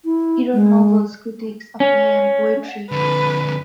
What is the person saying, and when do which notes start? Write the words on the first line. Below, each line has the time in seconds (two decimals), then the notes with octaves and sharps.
He wrote novels, critiques, a play, and poetry.
0.05 E4
0.53 G#3
1.80 C#4
2.92 F2 D3 B4